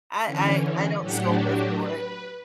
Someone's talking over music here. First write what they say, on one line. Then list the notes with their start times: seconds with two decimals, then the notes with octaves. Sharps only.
I I I don't scold her for it.
0.24 D3 E3 C#4
1.01 A2 F#3 D4 F#4 G4
1.77 B4